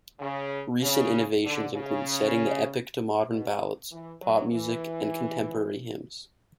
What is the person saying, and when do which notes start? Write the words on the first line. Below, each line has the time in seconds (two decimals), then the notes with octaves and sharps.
Recent innovations include setting the epic to modern ballads, pop music, and contemporary hymns.
0.20 C#3
0.81 C#3
1.44 D3
1.74 C#3
3.28 B2
3.91 E3
4.22 F#3
4.52 E3